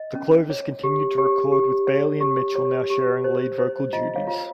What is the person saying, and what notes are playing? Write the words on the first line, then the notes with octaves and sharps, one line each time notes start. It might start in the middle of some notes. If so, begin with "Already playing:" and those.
The Clovers continued to record with Bailey and Mitchell now sharing lead vocal duties.
Already playing: D#5
C#4
C#5
G4
G4 C#5
G4
C#5
G4
G4 C#5
G4
C5
C5
F4 D#5
C#5 F5
F4